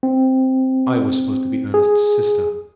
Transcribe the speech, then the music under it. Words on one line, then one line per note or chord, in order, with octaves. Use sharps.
I was supposed to be Ernest's sister.
C4
G#4